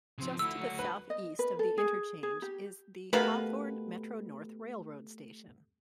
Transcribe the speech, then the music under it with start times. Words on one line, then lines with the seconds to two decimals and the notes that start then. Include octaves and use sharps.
Just to the southeast of the interchange is the Hawthorne Metro-North Railroad station.
0.18 C#3 F3 C4
0.39 A3 E4 F#4 E6
0.59 F#3
0.79 B4
1.10 D#5
1.39 B4
1.59 A4
1.78 G#4
2.23 G#4
2.42 G4
3.13 B2 A3 A#3 G4 A4 B4